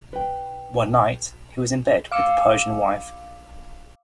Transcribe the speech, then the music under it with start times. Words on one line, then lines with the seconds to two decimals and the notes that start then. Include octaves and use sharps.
One night, he was in bed with the Persian wife.
0.13 B4 G5
2.12 F5 D6 E6 C#7